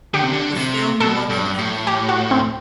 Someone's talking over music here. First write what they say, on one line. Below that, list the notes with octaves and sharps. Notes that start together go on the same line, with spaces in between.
The film won an Emmy.
D3 G4
C3
D3
C3
B2 A4
G2
A2
G4
F#4
C4